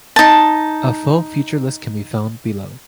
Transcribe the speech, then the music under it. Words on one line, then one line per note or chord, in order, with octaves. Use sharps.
A full feature list can be found below.
D#4 A5